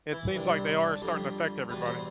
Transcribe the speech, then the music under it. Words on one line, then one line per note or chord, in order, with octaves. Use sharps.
it seems like they are starting to affect everybody.
E3 E4
C2 C3 G3 D4
C4
D4
F2 D3 F3 G3 G4
E2 B2 G3 B3 B4
C4 C5